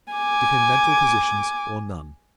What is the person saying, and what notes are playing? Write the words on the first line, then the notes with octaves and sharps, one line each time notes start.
Give him mental positions or none.
G#5 D6